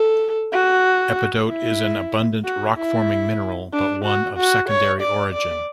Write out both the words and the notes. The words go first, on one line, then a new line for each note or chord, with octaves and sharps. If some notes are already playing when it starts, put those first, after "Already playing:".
Epidote is an abundant rock-forming mineral, but one of secondary origin.
Already playing: A4
F#4
E4
F#4
E4
D4
F#4
F#4
C#5
D5
D5